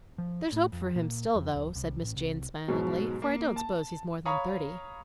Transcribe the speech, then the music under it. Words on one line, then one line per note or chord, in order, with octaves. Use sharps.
"There's hope for him still, though," said Miss Jane smilingly; "for I don't s'pose he's more than thirty."
F3
A2
F2
A#2
F2
D1
C2
A1
C2
G#2 B2 F#3
A#3
A5
C#5 F5 A#5 B5 C#6 D#6